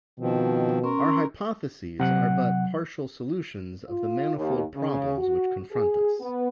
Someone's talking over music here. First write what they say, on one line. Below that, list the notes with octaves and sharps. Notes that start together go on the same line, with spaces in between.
Our hypotheses are but partial solutions of the manifold problems which confront us.
B2 D#3 F3 C4
C#4 A#4 C6 C#6
C3 F#3 F#5 F#6
F4
D#2
C#3
F#4
G#4
B3